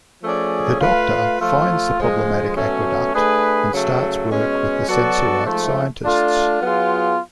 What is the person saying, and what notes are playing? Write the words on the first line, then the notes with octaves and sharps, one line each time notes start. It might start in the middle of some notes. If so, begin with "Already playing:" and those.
The Doctor finds the problematic aqueduct and starts work with the Sensorite scientists.
F3 A3 C#4 G#4 D5
A3 F4 B4 F5
F3 A3 F4
D3 F3 G#3
B2 F#3 A3 C#4
A3 D4 G#4 B4
C#3 F#3 A3
B2 G#3 C#4
F#3 B3 F#4 A4 D5
G#2 F3 A3
A3 D4 F4 A4
F#3 B3 F4 G#4